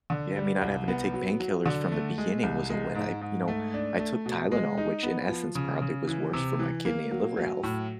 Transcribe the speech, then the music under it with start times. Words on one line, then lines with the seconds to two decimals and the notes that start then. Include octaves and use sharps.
yeah, me not having to take painkillers from the beginning was a win. I, you know I took Tylenol, which in essence probably was worse for my kidney and liver health.
0.10 D3
0.36 G3
0.62 C2
0.88 B3
1.14 F#3
1.40 F#3
1.66 D3
1.92 A3
2.18 G#3
2.43 C2
2.70 G#3
2.95 G#2
3.21 G#2
3.48 A3
3.74 D4
3.99 A3
4.26 B2
4.52 G#3
4.77 D#4
5.03 B3
5.29 F3
5.55 C#3
5.82 C#3
6.07 E3
6.33 C3
6.59 E3
6.85 A#3
7.11 F#3
7.37 F#3
7.63 A2